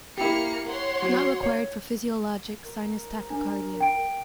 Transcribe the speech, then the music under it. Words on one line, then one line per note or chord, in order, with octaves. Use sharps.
Not required for physiologic sinus tachycardia.
A#3 E4 G4 F6 C#7
C#5 F#5 C6
F#3
C#5
A#4
D4
G5 D7